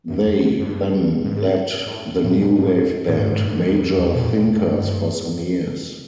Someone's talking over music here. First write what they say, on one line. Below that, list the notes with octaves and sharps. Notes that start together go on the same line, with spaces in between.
They then led the new wave band Major Thinkers for some years.
F#2
F2
F2
G2
G#2
G#2
A2
A2
A#2
G#2
A2
G#2
G2
G#2
A2
G2
F2
E2
F2
F#2
E2
F2
B2
A#2
A2
G2